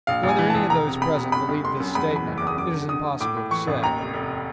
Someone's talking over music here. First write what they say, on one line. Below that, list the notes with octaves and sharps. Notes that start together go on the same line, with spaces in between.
Whether any of those present believed this statement it is impossible to say.
A#1 F5
A#1
G#5
E3
A#1 A5
E1 A#5
C3
E1 B5
C3
G1 B5
G1
G1 C6
F#2
E2 B5
E3
B5
F#1
E2 D6
D#6
F#2 D6
D3
D3 D#6
D3
A2 D6
A2
E3 C#6
A1
D#2 A#5
F1
F1